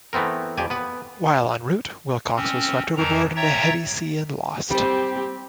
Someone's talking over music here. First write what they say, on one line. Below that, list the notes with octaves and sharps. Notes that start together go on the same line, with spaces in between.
While en route, Wilcox was swept overboard in a heavy sea and lost.
E3 A3 B3 C4 A#4
F2 G4 D5 G#5
B3 B4
C4 C#4
F2 E3 F3 A#4 A#5
C#5 E5 G5 A#5 A6
G3 C4 G4 C5